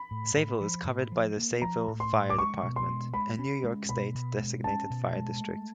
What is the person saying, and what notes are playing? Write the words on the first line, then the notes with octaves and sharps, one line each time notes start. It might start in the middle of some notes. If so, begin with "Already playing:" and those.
Sayville is covered by the Sayville Fire Department, a New York State-designated fire district.
Already playing: B5
A2
A2
F3
A2
F3
A#3
F3 A#5
A2
C6
A2
D6
G#3 C#6
B2
C6
G#3
G#3 B5
C#4
G#3
B2 B5
B2
G#3
C#4 A5
B2
G#3
A3